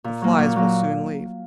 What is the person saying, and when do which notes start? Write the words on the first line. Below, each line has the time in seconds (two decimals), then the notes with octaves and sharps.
The flies will soon leave.
0.04 A#2
0.22 F#3 A#3
0.39 A#2
0.56 F#3 A#3